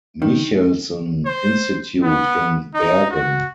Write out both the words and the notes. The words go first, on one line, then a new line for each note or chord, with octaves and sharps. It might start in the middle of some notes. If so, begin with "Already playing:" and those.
Michelsen Institute in Bergen.
D#3
C5
B3
D#4
F#4